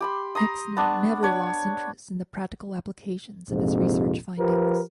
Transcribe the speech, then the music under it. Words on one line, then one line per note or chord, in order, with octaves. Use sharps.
Exner never lost interest in the practical application of his research findings.
G4 B5 C6
A#5 C6 D#6
B3 D4 C#6
D4 C#5
A#1 F2 G#2 C3
F3 G4 A#4 B4